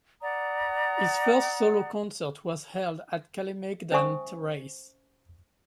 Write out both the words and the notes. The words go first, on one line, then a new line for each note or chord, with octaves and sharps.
His first solo concert was held at Kalemegdan terrace.
D5 F#5 A#5 D#6
C#4 C5 E5 G#5 C#6 D#6